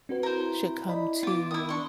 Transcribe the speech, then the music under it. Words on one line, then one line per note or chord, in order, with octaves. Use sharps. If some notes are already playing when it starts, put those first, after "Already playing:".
should come to
C4 F#4 B4
E4 A#4 C5
D5 D#5 B5
B3 F4 D6
D#3 E4 D#6
D4 C6 C#6